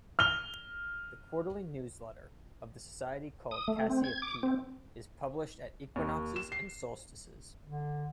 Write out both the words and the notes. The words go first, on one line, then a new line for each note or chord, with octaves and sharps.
The quarterly newsletter of the Society, called "Cassiopeia" is published at equinoxes and solstices.
F6 F7 G7
D#6
A3
C4
G#6
D6
C4
D#2
E7
C7
D3